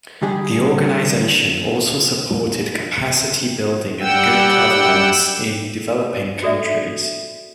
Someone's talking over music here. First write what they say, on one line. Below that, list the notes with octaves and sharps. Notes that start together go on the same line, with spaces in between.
The organisation also supported capacity building and good governance in developing countries.
D3 G3 D4 G4 G#4
G3 F#5 G5 E6
F#4 A4 D5 E5